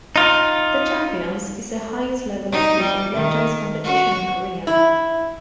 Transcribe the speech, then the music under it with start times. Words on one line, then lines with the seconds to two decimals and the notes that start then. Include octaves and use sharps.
The Champions is the highest level of "League of Legends" competition in Korea.
0.16 D#4 F4
2.52 D#4
2.80 G3
3.15 D#3
3.84 F#4
4.67 E4